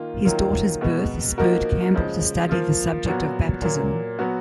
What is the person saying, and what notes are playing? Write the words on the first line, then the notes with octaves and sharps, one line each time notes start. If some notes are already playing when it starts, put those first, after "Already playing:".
His daughter's birth spurred Campbell to study the subject of baptism.
Already playing: D#3 A#3 F4
D#3 F#3 A#3 F4
B2 G#3 B3
F3 A#3 D#4 F#4 A#4
C#3 F3 G#3
F3 A#3 F4
A#2 F#3 B3 F#4
A#2 F#3 A#3
F#3 B3 F#4